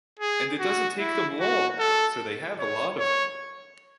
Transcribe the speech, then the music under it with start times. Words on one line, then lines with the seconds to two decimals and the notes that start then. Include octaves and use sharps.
And it doesn't take them long, so they have a lot of it.
0.20 G#4
0.60 F#4
0.99 E4
1.40 F#4
1.79 A4
2.59 C#5
2.99 C#5